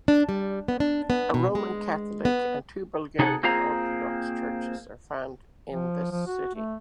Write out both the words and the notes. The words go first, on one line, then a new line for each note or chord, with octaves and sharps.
A Roman Catholic and two Bulgarian Orthodox churches are found in the city.
D4
G3
B3
D4
B3
B2
G#3
B3
C3 D#4 G#4 A4 F#5
A#3 C4 F4 G#4 F5 A#5
F3
F3
F#4
A3